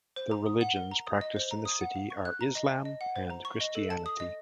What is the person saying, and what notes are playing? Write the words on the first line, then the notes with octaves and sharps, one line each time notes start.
The religions practiced in the city are Islam and Christianity.
C5
A#5
D#6
F#5
A#4
A#5
D#6
D#5
C5
A#5
D#6
F#5
F5
C#6
F#6
A#5
D#5
A5
D#5
F#5
C5
A#5
C#6
D#5
A4
A5
D#6
D#5